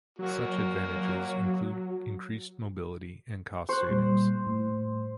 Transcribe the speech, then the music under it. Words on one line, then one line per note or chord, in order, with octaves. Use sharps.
Such advantages include increased mobility and cost savings.
F#3 A#3 F#4
F#3
C5 C#6 F#6
A#2 G3
A2